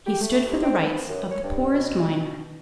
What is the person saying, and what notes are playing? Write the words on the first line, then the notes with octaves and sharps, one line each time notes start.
He stood for the rights of the poorest miner.
G4
A3
C2
C4
B3
F#2
C#5
G2
B2